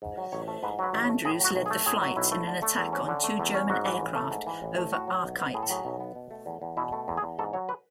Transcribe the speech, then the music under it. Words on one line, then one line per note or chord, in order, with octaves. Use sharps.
Andrews led the flight in an attack on two German aircraft over Achiet.
G#2
F#3
A1 C#5
A3
G#2 B4
F#3 B4
A1
C#5
A3
A2 G#4
F#3 F#4
B1
G#4
A3
A2 G#4
F#3
B1 E4
A3
D3
A3
E2
C#4
D3
A3
E2
C#4
G#2 F#4
E3
A1
A3
G#2
E3
A1
A3
A2 F#4
F#3
B1
B3
A2 G#4
A4
F#3 G#4
B1
B3
B2
A3
E2
E2
B2 E4
A3
E2
G#4
E2
G#2 A4
F#3 C#5
B4